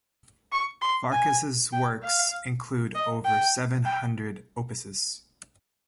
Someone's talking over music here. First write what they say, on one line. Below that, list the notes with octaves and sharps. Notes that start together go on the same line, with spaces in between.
Farkas's works include over seven hundred opuses.
C#6
C6
G#5
G5
F5
D#5
G5
G5